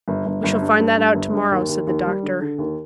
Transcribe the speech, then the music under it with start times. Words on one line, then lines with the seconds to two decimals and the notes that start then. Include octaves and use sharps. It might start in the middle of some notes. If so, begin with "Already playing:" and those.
"We shall find that out to-morrow," said the doctor.
0.08 G1
0.26 G1
0.44 G1
0.61 G2
0.79 G2
0.97 G2
1.15 G1
1.33 G2
1.51 D#2
1.69 D#2
1.87 D#2
2.06 G3
2.23 D3
2.41 D3
2.58 D#2